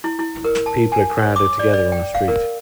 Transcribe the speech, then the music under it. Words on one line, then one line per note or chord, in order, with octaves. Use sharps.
People are crowded together on a street.
E4
E4
A#4
A5
G#5
C#5
D6
D5
D5
G5
F5
A#4